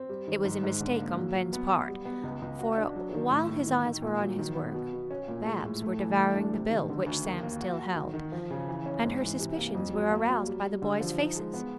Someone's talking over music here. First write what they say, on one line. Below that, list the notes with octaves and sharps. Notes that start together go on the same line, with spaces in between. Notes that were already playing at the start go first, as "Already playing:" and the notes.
It was a mistake on Ben's part, for while his eyes were on his work Bab's were devouring the bill which Sam still held, and her suspicions were aroused by the boys' faces.
Already playing: C4
G3
D#3
G#2
G#2
D3
A#3
F#3
F#3
B3
B3
G3
B3
C#2
C#2
F#4
D4
F#3
D#3
A2
A2
D#3
D#3
A#2
F#3
D#3
B3
B2
B2
C#4
A#2
G#3
A2
A3
E3
A3
D4
C3
D#3
D3
D2
D#2
A#3
F#4
F#4
D#3
D#3
F3
C#3
E3
C#4
G#2
E3
C3
A#3
F2
F#3
A#3
F#3
G3
G3
D3
F3
D#4
G#3
B3